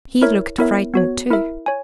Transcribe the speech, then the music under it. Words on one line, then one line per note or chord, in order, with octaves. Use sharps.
"He looked frightened too."
E4 A#4 C#5 E5
B3 E4 A#4 C#5 E5
B3 F#4 C#5
E4 A#4 E5
C#5 G#5